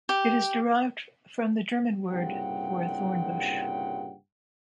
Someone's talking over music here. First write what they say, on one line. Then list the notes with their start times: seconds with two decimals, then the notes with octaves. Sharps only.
It is derived from the German word for a thorn bush.
0.09 G4
2.10 C2 G2 A#2 C#3 F#5 G5